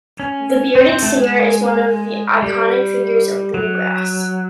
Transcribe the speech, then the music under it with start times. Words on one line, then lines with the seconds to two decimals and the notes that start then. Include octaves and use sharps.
The bearded singer is one of the iconic figures of bluegrass.
0.20 C#4
0.75 C4
0.89 C4
1.03 A3
1.17 G#3
2.42 G3
3.54 F#3